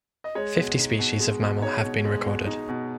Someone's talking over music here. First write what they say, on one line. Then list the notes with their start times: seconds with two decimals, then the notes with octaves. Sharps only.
Fifty species of mammal have been recorded.
0.24 D#5
0.35 G#3 C#5
0.56 B2
0.78 D#4
0.99 B2
1.20 G#3
1.41 B2
1.62 D#4 C#5
1.84 B2
2.04 G#3
2.26 B2
2.46 D#4
2.69 B2